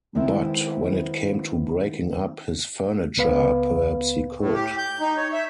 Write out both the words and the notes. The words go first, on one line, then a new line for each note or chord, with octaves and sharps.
But when it came to breaking up his furniture, perhaps he could!
D#3 G#3 B3 C4 E4
C#2 B3 B4 F5
A2
G4
G6
D#4
C#5
E5